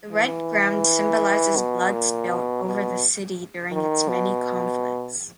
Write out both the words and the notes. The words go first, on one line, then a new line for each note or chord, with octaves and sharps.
The red ground symbolises blood split over the city during its many conflicts.
E3
B2
A#2
B2
B2
D#3
B2